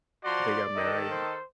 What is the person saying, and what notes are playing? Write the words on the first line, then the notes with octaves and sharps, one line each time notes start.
they got married.
F3 F#4 D5 A#5 C6
D#3 A4 D#5
C5